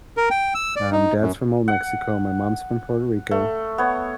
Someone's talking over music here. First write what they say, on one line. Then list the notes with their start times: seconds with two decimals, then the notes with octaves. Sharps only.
um, dad's from Old Mexico, my mom's from Puerto Rico,
0.17 A#4
0.30 G5
0.55 E6
0.76 D5
0.92 D#4
1.21 F#2
1.68 F#5
3.31 A3
3.78 B3 C#5